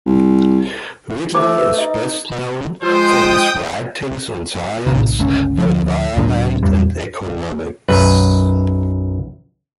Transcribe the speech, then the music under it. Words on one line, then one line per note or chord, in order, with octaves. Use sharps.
Ridley is best known for his writings on science, the environment, and economics.
C2
A3 D#4 C5 D6
B4
D#4 D#5
F3 G#3 C5 G5 D#6
A#1 A2 C3 D#3
G1 C#2 A3 C#4
D2 F3
C#2 A2 F#3 D4
D#1 G#1 E2 G3
B1 F#2 B4